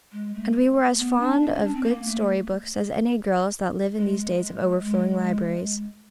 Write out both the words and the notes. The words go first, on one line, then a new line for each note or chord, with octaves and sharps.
And we were as fond of good story-books as any girls that live in these days of overflowing libraries.
G#3
A3
B3
D4
D4
C#4
D4
C4
A#3
A3
G#3
G#3